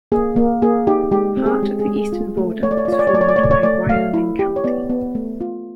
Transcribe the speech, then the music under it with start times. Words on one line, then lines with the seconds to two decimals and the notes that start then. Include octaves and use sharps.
Part of the eastern border is formed by Wyoming County.
0.12 A#3 G#4
0.36 A#3
0.62 A#3 G#4
0.87 D#4 G4
1.11 G#3 G4
1.37 C4
1.46 G#4
1.63 G#3 G4
1.80 G#4
1.87 G#3
1.96 G#4
2.12 F4
2.37 A3
2.63 A3 C#5
2.71 D5
2.77 C#5
2.85 D5
2.88 F4 C#5
2.99 D5
3.07 C#5
3.14 A3 D5
3.21 C#5
3.28 D5
3.36 A3 C#5
3.43 D5
3.51 C#5
3.63 A3 D5
3.89 A3 F5
4.14 E4
4.39 G4
4.56 C#5
4.64 B3 D5
4.90 B3
5.15 A3
5.41 F4